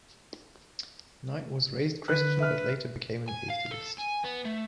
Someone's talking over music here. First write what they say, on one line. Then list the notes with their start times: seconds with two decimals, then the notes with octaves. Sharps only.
Knight was raised Christian, but later became an atheist.
2.08 D3 B4 F#6
2.40 E5 F6
3.28 G#5
3.50 F5
3.71 A4
3.98 G#5
4.24 B3
4.45 A3